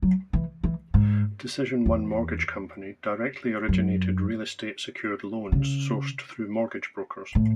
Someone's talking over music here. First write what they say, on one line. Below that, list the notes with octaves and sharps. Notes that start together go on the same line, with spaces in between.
Decision One mortgage company directly originated real estate secured loans sourced through mortgage brokers.
F#3
E3
E3
G#2
E2
F#2
C#3
A2